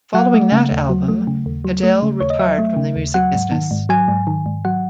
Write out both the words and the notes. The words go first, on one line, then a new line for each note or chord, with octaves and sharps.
Following that album, Cadell retired from the music business.
F#3 F#5
A3
C#3
D#2
F#3
A3
C#3
D#2
F#3
A3
C#3
D#2 C#5
D#5
F#3 E5
A3
C#3
D#2
F#3 F#5
G#2
D#3
G#2
F#3 G#5
G#2
D#3
G#2
F#3 F#5